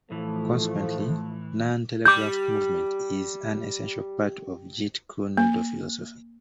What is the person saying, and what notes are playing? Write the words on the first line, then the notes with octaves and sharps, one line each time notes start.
Consequently, non-telegraphed movement is an essential part of Jeet Kune Do philosophy.
A2 E3 F3 A3
G3 D6 G6
A#3